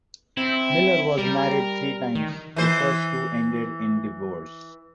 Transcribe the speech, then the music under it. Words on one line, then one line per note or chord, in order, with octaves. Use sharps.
Miller was married three times, the first two ended in divorce.
C4 E4
G3 A#4
D#3
E3 C5